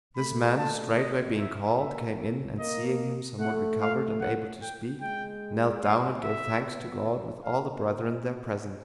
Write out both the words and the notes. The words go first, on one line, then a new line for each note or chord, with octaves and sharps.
This man, straightway being called, came in, and seeing him somewhat recovered and able to speak, knelt down, and gave thanks to God, with all the brethren there present.
A3 B5
A5
D#5
E5
A#3 E5
A#3 D#5
A3 F#5
F5
F#5
G5
G#3 G5
F5
E5
B3
A#3 F5